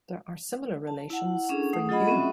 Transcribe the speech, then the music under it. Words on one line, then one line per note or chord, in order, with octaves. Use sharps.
There are similar relations for "U".
A5
E4 F#5
C#4 D4 G#4 A4
A3 F#5 D#6
F#3 F4 G#4 D#5 F#5 B5
C4 C#4 F#4 E5